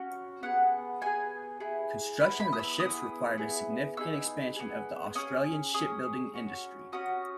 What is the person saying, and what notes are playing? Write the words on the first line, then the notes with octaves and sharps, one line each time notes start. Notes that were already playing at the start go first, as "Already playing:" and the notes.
Construction of the ships required a significant expansion of the Australian shipbuilding industry.
Already playing: C#4 F#4
B3 E4 G#4 F#5
B3 E4 G#4 G#5
B3 E4 G#4
B3 E4 G#4 B5
B5
D#6
E6
B3 E4 G#4 D#6
B3 E4 G#4
B3 D#4 G#4 E6
B3 D#4 G#4
C#4 G#4 D#6
C#4 G#4 D#6
C#4 F#4
C#4 F#4 D#6